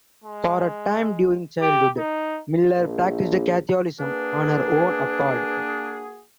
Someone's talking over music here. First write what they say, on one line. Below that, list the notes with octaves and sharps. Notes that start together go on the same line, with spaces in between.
For a time during childhood, Miller practiced Catholicism on her own accord.
G#3
G4
D#4
A#1
A#3 D4 F#4 G#4 B4